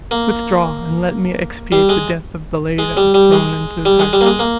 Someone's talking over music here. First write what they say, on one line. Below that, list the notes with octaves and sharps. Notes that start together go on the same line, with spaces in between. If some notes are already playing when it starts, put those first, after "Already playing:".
Withdraw, and let me expiate the death of the lady that was thrown into the Tigris.
A#3
G3
G#3
G#3
G3
G3
G#3
G3
G#3
G3
A#3
G#3
A#3